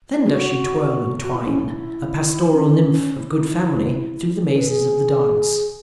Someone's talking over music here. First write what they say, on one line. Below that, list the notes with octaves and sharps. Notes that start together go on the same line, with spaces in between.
Then does she twirl and twine, a pastoral nymph of good family, through the mazes of the dance.
G#4
F#4
F#4
E4
C#4
E4
C#4
E4
G#4
B4
G#4